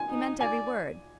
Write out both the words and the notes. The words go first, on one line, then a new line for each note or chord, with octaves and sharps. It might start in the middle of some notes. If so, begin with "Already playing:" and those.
He meant every word.
Already playing: G#5
D#4
D5 G#5